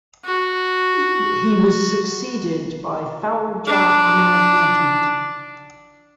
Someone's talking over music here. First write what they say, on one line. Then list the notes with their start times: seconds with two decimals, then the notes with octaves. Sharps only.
He was succeeded by Faujdar Ahmad Majid.
0.25 F#4
3.67 D4